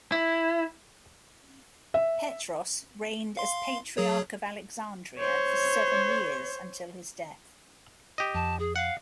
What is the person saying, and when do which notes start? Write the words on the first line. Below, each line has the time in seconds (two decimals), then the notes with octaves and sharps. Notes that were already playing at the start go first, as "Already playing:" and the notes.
Petros reigned as Patriarch of Alexandria for seven years until his death.
0.12 E4
1.94 E5
3.37 F5 C6
3.97 F#3 G#4 C#5
5.19 C5 C#5
8.18 G4 D#5
8.34 F2 A5
8.59 G#4
8.76 F5 F#5